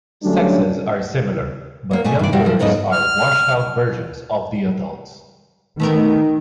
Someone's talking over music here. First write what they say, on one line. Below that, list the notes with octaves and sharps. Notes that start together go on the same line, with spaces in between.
Sexes are similar, but young birds are washed-out versions of the adults.
D3 F#3 G3 A3 C#4 D4
F#3 A#3
A#2 A3 D#5 G#5
G2 D5
F3 G3 E4 F#4 G4
E3 F3
E2 G#2 C#3 F#3 A4 D#5
F6
D#3 A3 B3 A#4